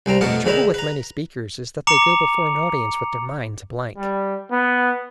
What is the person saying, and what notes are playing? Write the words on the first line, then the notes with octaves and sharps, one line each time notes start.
The trouble with many speakers is that they go before an audience with their minds a blank.
C2 G3 C4 A#5
F2 B2 A3 A#4 F#5 A5
E2 D3 D#3 E4 B4 A#5
B4 A#5
A#5 D6 C#7 F7
G3
B3